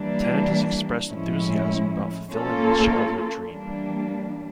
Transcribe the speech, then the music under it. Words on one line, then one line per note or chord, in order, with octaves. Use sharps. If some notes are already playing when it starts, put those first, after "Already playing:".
Tennant has expressed enthusiasm about fulfilling his childhood dream.
Already playing: E3 G3 A#3 D4
A2 F3 G#3 C#4 E4
A#3 C#4 F4 A4
E3 G3 A#3 D4